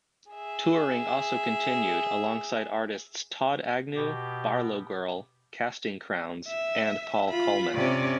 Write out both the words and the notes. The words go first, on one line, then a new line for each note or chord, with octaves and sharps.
Touring also continued alongside artists Todd Agnew, BarlowGirl, Casting Crowns and Paul Colman.
G#4 E5
B2 G4
E5
F4 B5
C3 C#4 D5